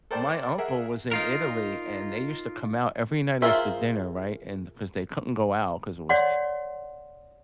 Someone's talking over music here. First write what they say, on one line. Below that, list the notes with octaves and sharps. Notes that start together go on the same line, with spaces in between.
My uncle was in Italy, and they used to come out every night after dinner, right? And 'cause they couldn't go out, 'cause it was
A4 A#4 C5 D5 G5 A5
G#4 A#4 E5 F#5
D#4 F4 A#4
F4 G#4 A#4 C5 E5
C#5 D5 F#5 C6